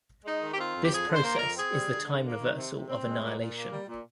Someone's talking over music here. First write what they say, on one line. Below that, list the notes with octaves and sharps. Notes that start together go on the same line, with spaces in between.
This process is the time reversal of annihilation.
G#3 D#4
D#3
G4
C4 F4
F2
G4
F3 G#4
D3 C5
A#3 C5
A#4
F2
C4 G#4
G3
D3
D3
A#3
D#3
C3
C3
C4
G#3
A#2
A#2
A#3
G3
A#2